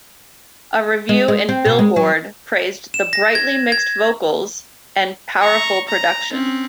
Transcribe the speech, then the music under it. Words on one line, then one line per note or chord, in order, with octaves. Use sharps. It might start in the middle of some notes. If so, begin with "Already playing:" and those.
A review in "Billboard" praised the "brightly mixed vocals" and "powerful production".
G#3
G#3
C4
B2
G#3
F#3
E7
A#6
G#6
G#6
A#5 C#6
A#5
C4 C#4